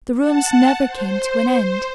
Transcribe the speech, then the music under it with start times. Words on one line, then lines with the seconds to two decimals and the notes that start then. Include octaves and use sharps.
The rooms never came to an end.
0.17 F#5 A5
0.84 C5